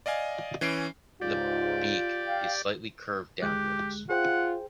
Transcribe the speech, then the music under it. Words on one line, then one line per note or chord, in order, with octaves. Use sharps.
The beak is slightly curved downwards.
D5 D#5 F5 G#5
E3 C#4 C7 D7
C#2 G#2 F4 G4 D5
F5 G5
D2 G#3 G4 F#6
F4 G#4 C5 F#5 G5